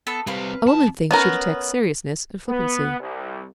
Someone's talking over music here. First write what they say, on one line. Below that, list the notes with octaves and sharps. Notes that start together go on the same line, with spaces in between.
A woman thinks she detects seriousness in flippancy.
B3 A4 E6
G3 C4 B4 F5
F2 A5
B3 C#4 A#4
B3
C2